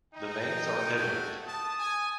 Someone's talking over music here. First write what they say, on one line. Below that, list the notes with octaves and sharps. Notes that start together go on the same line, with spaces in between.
The veins are evident.
D#4 G5
A3 F#4
A5 D#6
G#5